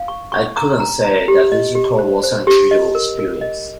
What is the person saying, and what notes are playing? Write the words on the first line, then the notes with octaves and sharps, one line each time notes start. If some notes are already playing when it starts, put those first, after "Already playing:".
I couldn't say that this record was an enjoyable experience.
Already playing: F5
C#6
C#6
A#5
A#5
A#5
G4
D#5
G4
C5
C5
G4
D#5
A#4
A#4
D#5